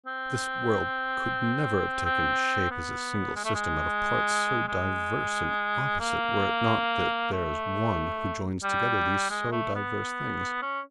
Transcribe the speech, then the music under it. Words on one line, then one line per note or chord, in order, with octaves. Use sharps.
This world could never have taken shape as a single system out of parts so diverse and opposite were it not that there is One who joins together these so diverse things.
C4
C4
B3
G#3
A3
G#3
G#3
A#3
A3
G3
G#3
A3
B3
C#4